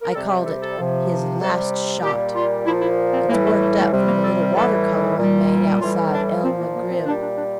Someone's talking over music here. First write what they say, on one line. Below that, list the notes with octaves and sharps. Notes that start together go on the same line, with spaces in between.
I called it "His Last Shot." It's worked up from the little water-colour I made outside El Maghrib.
A#4
C3 G3 A4
G4
A4
A4
C3 F3
C3 G3 A4
A#2 G3 G4
F4
A#2 F3 E4
E4
C4
A2 E3 G3 A#3
A3
A3
A3
C3 G3
A#3
A4
A#4
A2 E3 G3 A4
A#2 G3
A2 E3 G3 F4
D4
A#2 F3 C4
A#3
A#3
C4
A#2 G3 D4
D4
D4